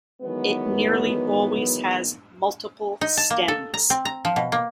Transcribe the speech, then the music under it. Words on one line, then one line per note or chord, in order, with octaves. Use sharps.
It nearly always has multiple stems.
D#3 E3 F#3 G#3 B3
D#4
A5
A#3
A4
A#5
C4
A#5
F3
B2
A#3